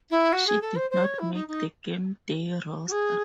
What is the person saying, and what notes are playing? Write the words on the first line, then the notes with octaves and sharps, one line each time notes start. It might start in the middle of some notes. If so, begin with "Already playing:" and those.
She did not make the gameday roster.
E4
F#4
G#4
A4
C5
C5
C#5
E4
D#4
D#4
F#4
G#4